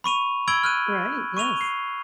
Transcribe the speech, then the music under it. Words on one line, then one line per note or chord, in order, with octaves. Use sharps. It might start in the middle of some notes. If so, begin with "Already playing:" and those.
Right, yes.
B5 C#6 D#7 F7
B5 E6 G#6 D7 F#7 G7
F6 F#6 D#7
C#6 D#7 F7 G7
C7